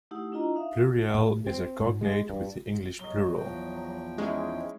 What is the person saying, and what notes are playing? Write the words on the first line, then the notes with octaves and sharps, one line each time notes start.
Pluriel is a cognate with the English "plural".
A3 D#4 E4 G4 F#5
D4 E4 F4 D#5 A#5
D#4 E5 F5
A2
C4
G#2
G#3
G2
F#3 D#5 G7
E2 F3 G5
G#3 C#4 D#4 E4